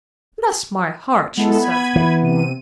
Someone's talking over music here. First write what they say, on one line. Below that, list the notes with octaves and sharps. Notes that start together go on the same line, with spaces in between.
"Bless my heart!" she said.
G#3 B3 E4 A4
B5 G#6 D#7
E3
C3 D#7